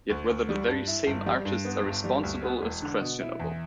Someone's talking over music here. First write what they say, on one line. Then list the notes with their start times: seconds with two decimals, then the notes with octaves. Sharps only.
Yet whether the very same artists are responsible is questionable.
0.10 D2
0.29 D2
0.49 G3
0.67 G2
0.87 E4
1.07 G1
1.26 G3
1.45 G2
1.65 B3
1.84 G1
2.04 G3
2.23 D2
2.42 B3
2.62 E1
2.82 D3
3.01 B2
3.20 E4
3.40 E2